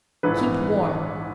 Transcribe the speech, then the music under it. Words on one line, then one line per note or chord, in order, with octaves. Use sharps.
Keep warm.
A#1 G#2 E3 B4